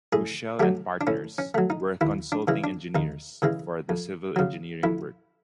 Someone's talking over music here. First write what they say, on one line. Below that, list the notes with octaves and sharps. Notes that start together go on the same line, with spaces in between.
Mouchel and Partners were consulting engineers for the civil engineering work.
A2 G#4
F#3 A3 G4
D4
A2 C#4
C#4
F#3 A3
D#4
D#2 E4
D4
C#3 E3 G#3
D4
D#2 D#4
C#3 E3 G#3
F2
C#3 F#3
F2 E4